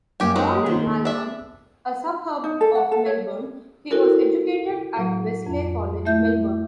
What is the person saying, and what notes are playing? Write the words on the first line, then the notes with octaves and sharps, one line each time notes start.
Born in Malvern, a suburb of Melbourne, he was educated at Wesley College, Melbourne.
F#2 A#3 G4 G#5
F#3 G#3 D#4
D#3 A#3 C5
D4 E5
D#4
A4
F#5
A4
C#5
E4 F#4 A4 A#4
A2 F#3
F2
A3 E4 E5 G6